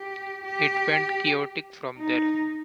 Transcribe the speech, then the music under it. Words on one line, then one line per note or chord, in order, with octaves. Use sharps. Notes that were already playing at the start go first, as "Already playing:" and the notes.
It went chaotic from there.
Already playing: G4
G4
D#4